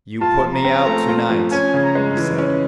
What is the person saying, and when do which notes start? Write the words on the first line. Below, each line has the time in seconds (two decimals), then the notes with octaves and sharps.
"You put me out to-night," he said.
0.21 F4 A5
0.43 F3
0.54 A#5
0.65 C4
0.87 A3
1.08 F4
1.30 F3
1.52 C#4 G#5
1.74 C#3
1.84 A#5
1.95 G#3
2.17 E3
2.38 C#4